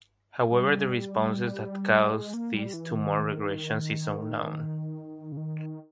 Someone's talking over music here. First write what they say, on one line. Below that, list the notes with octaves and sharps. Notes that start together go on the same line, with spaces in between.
However, the responses that cause these tumour regressions is unknown.
G3
G#3
A#3
G3
E3
D#3
C#3
D#3